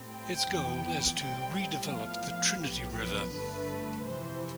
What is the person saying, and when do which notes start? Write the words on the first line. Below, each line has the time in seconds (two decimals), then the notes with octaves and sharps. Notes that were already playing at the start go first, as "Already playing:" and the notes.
Its goal is to redevelop the Trinity River.
Already playing: A2 G3 C4
0.12 G5
0.48 F2 E3 B3
1.19 A2 G3 C4 G5
1.54 G5
1.90 A2 F3 B3 F5
2.62 B1 A2 F3 B3 G4
2.97 B4
3.32 G1 G2 D3 A3 B4
4.04 F2 C3 E3 C5